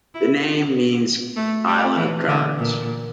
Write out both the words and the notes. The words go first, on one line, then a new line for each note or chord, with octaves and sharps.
The name means "island of currents".
E4
F4
A3
G3
E3
D3
A#2